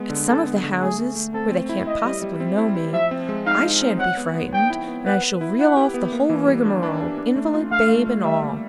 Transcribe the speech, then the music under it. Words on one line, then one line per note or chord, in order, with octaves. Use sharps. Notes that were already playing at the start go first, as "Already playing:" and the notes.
At some of the houses--where they can't possibly know me--I shan't be frightened, and I shall reel off the whole rigmarole, invalid, babe, and all.
Already playing: G#3 B3
D3
D3 A4
B3
D3
A3 G#4
A3
A3
C4 A4
C4
E4
E4 D#5
G3
G3
C4
E4
E4
F3 E5
C4
G#3
D#4 F5
D#4
C4
C#5 F#5
B3
B3
C#5 G5
E4
B3
B4 F#5
B4
E4
E4 F#5
G4
B3
A#3
E3
G3
D4
D4
D4
D4
A3
F4
A3 F5
A3
A3
G3 E5
A#3